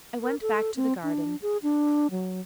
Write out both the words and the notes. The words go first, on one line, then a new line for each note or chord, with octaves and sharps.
I went back to the garden.
A#4
A4
C4
D4
G#4
D4
F#3